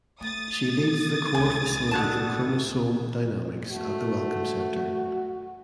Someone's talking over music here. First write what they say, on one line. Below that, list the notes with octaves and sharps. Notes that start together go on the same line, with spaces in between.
She leads the core facility in Chromosome Dynamics at the Wellcome Centre.
A3 D#6 A6
C#2 C3 G#5
B2 D3 A5
A3 F#4